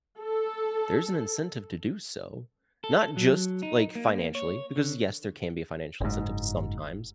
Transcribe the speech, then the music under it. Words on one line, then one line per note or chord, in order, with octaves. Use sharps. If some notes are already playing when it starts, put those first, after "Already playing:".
there's an incentive to do so, not just, like, financially because, yes, there can be a financial incentive sometimes,
A4
A4
F#3
D#4
A#3
C#5
D3
F#1 G#2